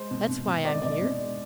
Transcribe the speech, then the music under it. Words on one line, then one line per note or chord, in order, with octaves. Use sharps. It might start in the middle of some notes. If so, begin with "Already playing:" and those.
That's why I'm here.
Already playing: G#3 C5
B2
B2
B2
G#3 D5
D#5
B2 D5
B2
G#3